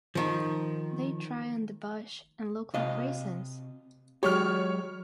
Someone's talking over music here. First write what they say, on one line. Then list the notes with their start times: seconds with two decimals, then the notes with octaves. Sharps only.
They dry on the bush and look like raisins.
0.15 D#3 F3
2.74 C3 D#5 F5
4.23 F#3 G#3 G4 C#5 C#6 F6